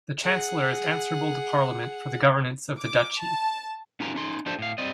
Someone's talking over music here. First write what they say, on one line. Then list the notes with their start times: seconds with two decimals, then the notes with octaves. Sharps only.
The Chancellor is answerable to Parliament for the governance of the Duchy.
0.22 G#4 F#5
2.80 D6
3.21 A5
4.00 C#4 D#4 F4 G4 A#4 A#5
4.15 C#4 D#4 C6
4.46 D4 F4 G4 A4 C5 D5
4.59 A2 F5
4.78 G3 C4 D5 D#5